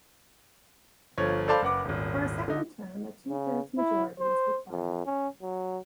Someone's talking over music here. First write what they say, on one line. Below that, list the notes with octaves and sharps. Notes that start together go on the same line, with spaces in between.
For a second term, a two-thirds majority is required.
G1 F3 C#5
A4 C5 D5 F5 A5 B5
F#1 B4 F#5 D6
D#1 G#1
D3 D#4
C#3
E4
C5
F2
C#4
F#3